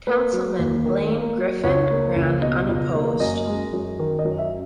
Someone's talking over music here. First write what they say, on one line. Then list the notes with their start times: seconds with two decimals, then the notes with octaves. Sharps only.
Councilman Blaine Griffin ran unopposed.
0.07 A#3 B4
0.33 F#3
0.59 D#2
0.85 D#3
1.11 A#3
1.38 F#3
1.64 C#2 C#5
1.90 A#3
2.16 C#2
2.42 B2 D#5
2.69 C#2
2.95 A#3
3.20 F#2 D#5
3.47 G#3
3.73 F#2
3.99 D#3
4.19 D#5
4.25 F#2
4.38 E5